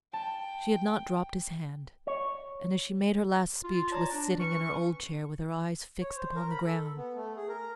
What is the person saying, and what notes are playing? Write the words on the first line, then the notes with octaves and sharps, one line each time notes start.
She had not dropped his hand, and as she made her last speech was sitting in her old chair with her eyes fixed upon the ground.
G5 A5
C#5
F4
C#5 D5 A5 A#5
D4
E3 C#4 B4 C#6
C#5
C5
A#4
B5
A4
B3
A3
G#4
A#4